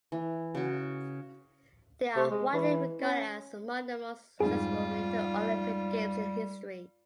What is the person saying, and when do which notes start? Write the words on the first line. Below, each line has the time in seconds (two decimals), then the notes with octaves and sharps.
They are widely regarded as among the most successful winter Olympic Games in history.
0.12 E3
0.55 C#3 F#4
2.16 C3
2.31 G#3
2.53 E3
3.01 C#4
4.40 F2 G#2 G3 F4 G#4